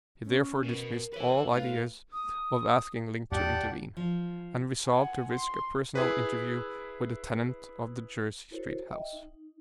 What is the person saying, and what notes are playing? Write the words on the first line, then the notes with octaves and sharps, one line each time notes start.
He therefore dismissed all ideas of asking Link to intervene, and resolved to risk a personal interview with the tenant of the Jersey Street house.
C#4
B2 B3 A#4
B4 C#5 E5
A2 F4 B4
D#6
E2 G4 D5 F#5 A5
F3
F#5 G#5
C6
E4 G#4 B4
E4 F#4 A4 A#4 C5 C#5
D#5 E5 G5
D#4